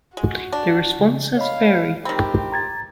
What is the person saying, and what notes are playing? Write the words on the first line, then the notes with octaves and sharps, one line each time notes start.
Their responses vary.
G#3 F#4
D4
C#3
C#5 D#5 F5 B5
D#3 C4 G4 B5
A#5 G#6 A6